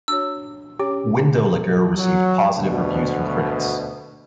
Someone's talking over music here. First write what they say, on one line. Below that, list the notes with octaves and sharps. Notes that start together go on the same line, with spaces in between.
"Windowlicker" received positive reviews from critics.
D4 F#4 C#5 E6
C#4 G4 C#5 D6
F#3
D2 B2